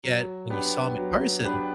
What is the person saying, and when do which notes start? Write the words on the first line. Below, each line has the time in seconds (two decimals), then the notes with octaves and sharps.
Yet when you saw him in person,
0.04 F#3
0.50 B3 D4 G4 B4
0.97 F#3
1.44 B3 D4 G4 B4